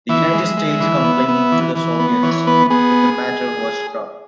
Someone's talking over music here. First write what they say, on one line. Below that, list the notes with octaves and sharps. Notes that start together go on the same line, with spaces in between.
The United States complained to the Soviets, but the matter was dropped.
E3 E5
G#3
G#3
E3
B3
B3
E3
E3
B3
E3 C#5
B3 B4
B3 G#4